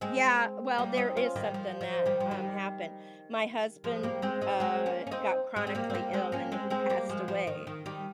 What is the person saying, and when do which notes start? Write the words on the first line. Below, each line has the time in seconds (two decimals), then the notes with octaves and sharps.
yeah, well, there is something that, um, happened, my husband, uh, got chronically ill, and he passed away,
0.01 G#3 C4
0.78 G3 A#3
0.97 C4 D#4
1.17 C#4 F4
1.36 D#3 G3
1.54 F3
1.81 F3
2.06 D#3 G3
2.20 F3
2.31 D#3 G3
3.84 F3 G#3
4.03 G3 A#3
4.22 G#3 C4
4.41 C4 D#4
4.60 G#3 C4
4.86 A#3 C#4
5.07 C#4
5.11 C4 D#4
5.56 G#3 C4
5.67 C4
5.75 G3 A#3
5.90 C4
5.95 G3 A#3
6.13 G#3 C4
6.32 A#3 C#4
6.52 G#3 C4
6.70 G#3 C4
6.90 G3 A#3
7.09 F3 G#3
7.28 F3
7.47 D#3
7.67 D#3
7.86 D#3 G3